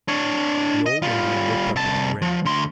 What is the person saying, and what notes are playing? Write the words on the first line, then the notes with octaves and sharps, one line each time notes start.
The old Indian looked up with a grin.
D4 C#5
D#5
G3 F4
C2 A5
F3
D2 C6